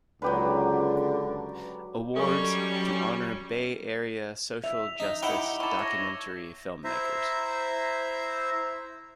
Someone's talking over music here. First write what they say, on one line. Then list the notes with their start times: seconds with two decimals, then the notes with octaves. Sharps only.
Awards to honor Bay Area social justice documentary filmmakers.
0.22 C#2 D3 F#3 G4 B4
2.16 F#3 G3 C#4 A4 C#5 D#5 C#6
4.64 E5 F7
5.00 D#4
5.22 D#4 E4 G4 F#5 G5 C#7 E7 G7
5.60 E4 A4 C#6 D6
5.79 C#5 E6 G#6 A#6
6.84 E4 C5 E5 A#5